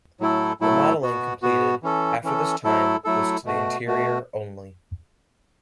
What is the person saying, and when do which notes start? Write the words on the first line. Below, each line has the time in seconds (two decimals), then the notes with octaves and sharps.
Remodeling completed after this time was to the interior only.
0.20 A2 F#3 A3 E4 A4
0.61 A2 F#3 A3 E4 A4
1.01 B2 B3 F#4
1.42 B2 B3 F#4
1.83 E3 C#4 A4
2.23 E3 C#4 A4
2.64 F#3 A3 E4 A4
3.04 F#3 A3 E4 A4
3.45 B2 A3 F#4
3.85 B2 A3 F#4